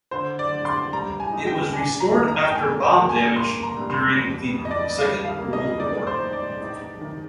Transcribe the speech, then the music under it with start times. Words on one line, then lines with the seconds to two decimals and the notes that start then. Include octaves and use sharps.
It was restored after bomb damage during the Second World War.
0.11 D3 C5
0.39 D5
0.52 D3
0.65 C6
0.93 G3 A#5
1.20 G#5
1.33 D#4
1.47 G5
1.73 D4 G#5
2.00 A#5
2.14 D#3
2.28 A#5
2.45 G5
2.55 A#3 G#5
2.83 G5
2.96 A#3
3.09 G#5
3.36 A#3 C6
3.63 A#5
3.77 G2
3.90 C6
4.17 F2
4.58 F2
4.65 D#5
4.71 D5
4.98 G3 F5
5.25 F5
5.39 A#3
5.53 D#5
5.79 D#4 D5
6.07 C5
6.19 D#4
6.33 D5
6.61 D#4
7.01 D#3